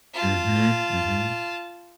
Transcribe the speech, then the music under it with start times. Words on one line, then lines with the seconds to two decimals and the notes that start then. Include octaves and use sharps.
Mhm, mhm.
0.14 F4 A5